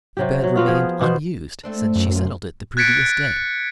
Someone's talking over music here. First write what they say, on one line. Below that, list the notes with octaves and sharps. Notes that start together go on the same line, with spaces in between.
The bed remained unused since she settled it the previous day.
C3 F#3 G4
F#3
B3 F4 F#4
F3 G#4
B2 B3 C5
A3 C4 D4
F#2
F4
F#6 G#6 A6 B6 C#7 D7